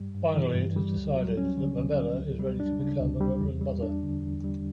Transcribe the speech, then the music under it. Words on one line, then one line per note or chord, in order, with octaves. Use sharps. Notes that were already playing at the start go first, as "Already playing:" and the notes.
Finally it is decided that Murbella is ready to become a Reverend Mother.
Already playing: G2 G3
G2
E3
G2
G3
D2
F#3
C#4
D3
D2
F#3
D2
G3
D4
C#3
D2
G3
E2
G3
D4
D3
E2
G3